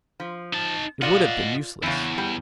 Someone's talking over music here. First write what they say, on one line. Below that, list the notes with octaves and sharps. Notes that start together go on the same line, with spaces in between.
It would have been useless.
F3
D#4 A5
F4 D5 D#5 F5 F#5
E2 C#3 E3
G3